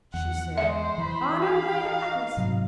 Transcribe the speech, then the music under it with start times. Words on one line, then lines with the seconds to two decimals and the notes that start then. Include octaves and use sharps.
She said, 'On our way to Aklis.'
0.14 E2 F#5
0.58 G#3 C5 E5
0.98 E3 B5
1.42 F#4 F5
1.81 D#4
2.37 G#2 C3 F#3